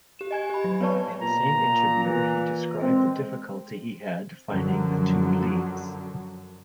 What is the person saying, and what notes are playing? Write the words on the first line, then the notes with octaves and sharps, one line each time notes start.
In the same interview, he described the difficulty he had finding the two leads.
G4 E7
D#5 G#5 G#6
G4 B5
F#3
B3 B4 C#5 D5 A5 C#6
A#2 A#5
E3
G#3 C4
F#2 D3 F3 F#3